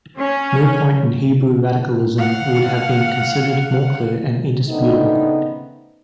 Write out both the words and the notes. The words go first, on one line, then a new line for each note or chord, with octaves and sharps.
No point in Hebrew radicalism would have been considered more clear and indisputable.
C#4
F5 F#5
C#3 A3 B3 C4 D4 D#4